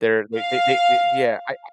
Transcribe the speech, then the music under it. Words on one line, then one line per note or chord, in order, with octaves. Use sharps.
they're they they they they yeah, I
F5